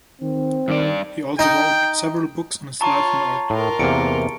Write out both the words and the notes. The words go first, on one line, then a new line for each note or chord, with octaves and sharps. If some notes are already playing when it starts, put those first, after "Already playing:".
He also wrote several books on his life and art.
D#3 C4
G2 D#3 D5
D#4 G5
F4 C#5 A5 A#5 C#6
A2 F4 A#4
E2 C3 A#3 C#7 D7